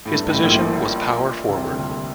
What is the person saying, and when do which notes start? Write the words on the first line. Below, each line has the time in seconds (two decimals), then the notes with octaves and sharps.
His position was power forward.
0.06 A2
0.14 G2
0.28 A1 A2
0.44 A#1 A#2
1.49 C2 C3
1.71 D2 D3